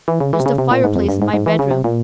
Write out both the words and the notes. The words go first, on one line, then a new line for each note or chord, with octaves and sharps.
There's the fireplace in my bedroom.
E3
C#3
E3
C3
C#3
C3
A#2
G#2
F2
G2
G#2
G#2
E3
C#3
C3
A#2